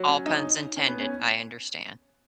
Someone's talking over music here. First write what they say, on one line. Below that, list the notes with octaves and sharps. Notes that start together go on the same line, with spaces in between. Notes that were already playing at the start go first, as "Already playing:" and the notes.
All puns intended, I understand.
Already playing: F#3
C#4
D#4
C#4
B3
C#4